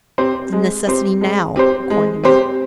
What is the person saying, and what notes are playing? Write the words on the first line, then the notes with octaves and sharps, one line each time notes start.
It's a necessity now, according to me.
C4 G4 C5
G#3
C4 G4 C5
G#3
C4 G4 C5
G#3
C4 G4 C5